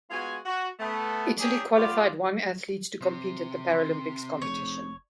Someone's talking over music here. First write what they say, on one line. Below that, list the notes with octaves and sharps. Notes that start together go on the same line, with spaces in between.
Italy qualified one athletes to compete at the Paralympics competition.
G#3 B3 F4 F#4 G#5
F#4
A3 B3
A#3 C#4 D4 E4 G4 G#4
B3 F4 G4 D5
C3 C6
F1 G#4 C5 C#5